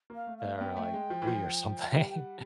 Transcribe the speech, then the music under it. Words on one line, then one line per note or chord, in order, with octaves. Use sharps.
that are, like, free or something,
A#3
F5
A3
F5
A3
B3 G5
A3
G#3
F3
E3
F3
G3 G5
G5
F#5